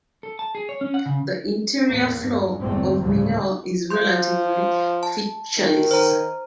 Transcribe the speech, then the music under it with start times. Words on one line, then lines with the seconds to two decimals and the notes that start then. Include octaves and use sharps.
The interior floor of Mineur is relatively featureless.
0.23 A4
0.39 A5
0.55 G#4
0.69 C#5
0.81 C#4
0.94 F#5
1.06 C#3
1.85 E2 A2 A#3
2.17 G2
2.60 G1 E2 G2 G#3 A3 C4
3.00 D2 A2 C#3 F3
3.90 F3 C6 G6
5.03 A5
5.58 D#3
5.91 C5 A#5